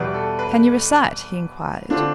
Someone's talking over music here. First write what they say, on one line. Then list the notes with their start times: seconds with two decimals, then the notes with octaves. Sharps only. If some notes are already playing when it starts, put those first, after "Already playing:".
"Can you recite?" he inquired.
Already playing: E2 B2 G3 B4
0.14 A4
0.39 B4
1.90 D3 A3 C4 D4 F4